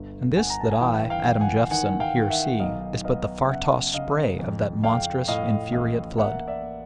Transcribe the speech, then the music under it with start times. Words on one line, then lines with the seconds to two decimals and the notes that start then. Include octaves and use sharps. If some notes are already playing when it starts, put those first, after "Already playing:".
And this that I, Adam Jeffson, here see is but the far-tossed spray of that monstrous, infuriate flood.'
Already playing: G1
0.36 G1 F#5 G#5
0.50 A#5
0.60 A5
0.71 G#5
0.81 E3 F5 G5
1.10 F5 G5
1.26 E3
1.41 F#5 G#5
1.70 D#3 F#5 G#5
2.00 F5 G5
2.16 D#3
2.30 E5 F#5
2.60 B1 D#5 F5
3.04 B3 D#5 F5
3.49 C#3 E5 F#5
3.94 C#3 D#5 F5
4.39 F2
4.84 F2 F5 G5
5.28 A2 D#5 F5
5.73 A1 D#5 F5
6.17 A#3 E5 F#5
6.47 D5 E5
6.62 A#3